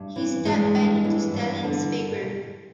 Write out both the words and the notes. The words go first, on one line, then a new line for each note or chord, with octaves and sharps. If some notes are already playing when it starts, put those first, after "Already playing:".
He stepped back into Stalin's favor.
Already playing: G2
E3
G2 G#3
G2
E3
G2
D3